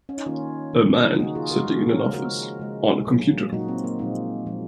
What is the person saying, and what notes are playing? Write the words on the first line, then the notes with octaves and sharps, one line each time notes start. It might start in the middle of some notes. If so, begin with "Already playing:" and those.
A man sitting in an office on a computer.
C#4
D#4
D#3 A#3 C#4 F4
D#3 A#3
G#4
C#3 F3 A#3 D#4 F#4
F4 G#4
F#4 A#4
C#3 F3 A#3
A#4 C#5
C#3 G#3 F#4 A#4
C#3 G#3
A#2 F#3 A#3
A#2 F#3 A#3 D#4 F#4
C4
A#3
A#2 F3 G#3 C4 D#4
A#2 F3 G#3